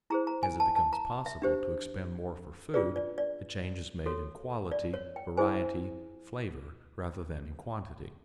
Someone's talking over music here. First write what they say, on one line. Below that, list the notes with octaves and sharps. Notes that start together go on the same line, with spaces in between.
As it becomes possible to expend more for food, the change is made in quality, variety, flavor, rather than in quantity.
E4 G#4 C5 A#5
A#5
G#5
A5
A5
A#5
E5
D4 G4 C5
D4 F4 G#4 B4 D5
D5
D5
F#4 A4 C#5
D5
C#5
G5
E4 G#4 C5 G#5